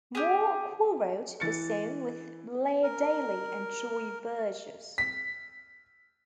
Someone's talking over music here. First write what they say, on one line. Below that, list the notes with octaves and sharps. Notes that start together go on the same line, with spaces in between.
Moore co-wrote the song with Blair Daly and Troy Verges.
G4 G#4
E3 A6 C#7
A#4
B6